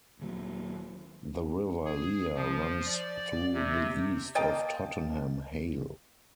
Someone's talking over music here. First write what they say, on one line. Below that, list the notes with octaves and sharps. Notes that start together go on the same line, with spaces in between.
The River Lea runs through the east of Tottenham Hale.
D#1 D#2 F#3
G#4
F3
D5
C3
A#3 D#5 G5 A5